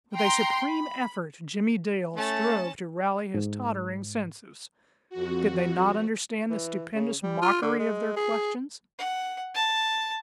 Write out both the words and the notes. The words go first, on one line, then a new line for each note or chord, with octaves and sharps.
With a supreme effort, Jimmie Dale strove to rally his tottering senses. Did they not understand the stupendous mockery of their questions?
G5 A#5 C6
B5
A3 C#4 A5
G#2
F2 F#4
E3
C#3
G3
F4
D3
G#3
G#4
F#5
A5